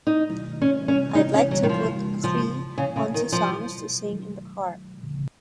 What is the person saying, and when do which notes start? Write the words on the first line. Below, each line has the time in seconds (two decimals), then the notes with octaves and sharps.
I'd like to put qriii onto songs to sing in the car.
0.07 D#4
0.62 C#4
0.88 C#4
1.15 D#4
1.34 C#4
1.51 F#3
1.63 D#3
1.69 F3
2.24 F3
2.78 C#3
2.96 C#3
3.14 D#3
3.32 F3